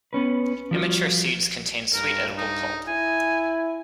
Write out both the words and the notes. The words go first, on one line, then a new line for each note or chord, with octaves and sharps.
Immature seeds contain sweet edible pulp.
B3 C#4 B4
F3 G3 F4 F#4
G2 A#4
D#4
E4 G#5